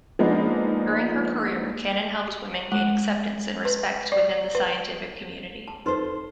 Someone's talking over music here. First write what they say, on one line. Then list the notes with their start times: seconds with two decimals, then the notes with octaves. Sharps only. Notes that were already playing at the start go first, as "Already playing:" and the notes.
During her career, Cannon helped women gain acceptance and respect within the scientific community.
0.19 F3 G#3 A#3 B3 D4 D#4
2.72 G#3
3.65 B4
4.12 D5
4.55 B4
5.68 A5
5.86 D#4 A4 B4 C5 C6